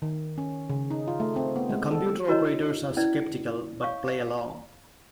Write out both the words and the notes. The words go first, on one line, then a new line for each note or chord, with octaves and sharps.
The computer operators are skeptical but play along.
D#3
C#4
C#3
D#4
F4
A3
C4
B3
G#3
A4
E4 F#4 A#4 C#5 D#5 A#5
C#4 E4 B4 D5
C#5 F5 C#6